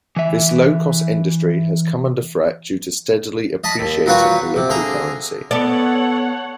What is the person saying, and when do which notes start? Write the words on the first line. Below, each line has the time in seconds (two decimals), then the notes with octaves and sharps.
This low cost industry has come under threat due to steadily-appreciating local currency.
0.16 E3 E5
3.64 D#5 A5 B5
3.79 D#2
4.06 F#3 G3 F4 F#4 B4 C#5
4.56 C3
4.70 D3 G#4 A#5
5.51 B3 A4 C#5 D5 F#5